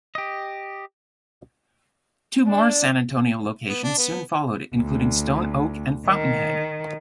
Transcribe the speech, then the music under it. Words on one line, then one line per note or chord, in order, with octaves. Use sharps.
Two more San Antonio locations soon followed, including Stone Oak and Fountainhead.
G4 D#5
D4
B3
D4
B3
D2
D#3